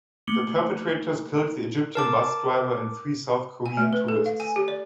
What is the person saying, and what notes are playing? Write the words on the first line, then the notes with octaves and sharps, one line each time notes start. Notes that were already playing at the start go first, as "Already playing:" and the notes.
The perpetrators killed the Egyptian bus driver and three South Korean tourists.
A3 A#3 D6 C#7 F#7 G7
A#4 A5 D6
G#5
A3
B4
A4
F5
G#5
G4
D5